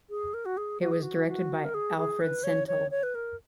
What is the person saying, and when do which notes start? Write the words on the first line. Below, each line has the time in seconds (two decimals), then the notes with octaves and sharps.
It was directed by Alfred Santell.
0.10 G#4
0.34 A#4
0.45 F#4
0.57 G#4
0.81 F#4
0.92 G#4
1.02 F#4
1.28 F#4
1.64 A#4
1.74 G#4
1.97 G#4
2.21 B4
2.44 C#5
2.68 C#5
2.91 C#5
3.03 B4
3.15 A#4